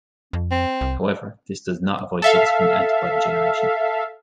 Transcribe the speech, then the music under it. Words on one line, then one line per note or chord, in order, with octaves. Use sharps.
However, this does not avoid subsequent antibody generation.
F2
C4
C2
A4 E5 F5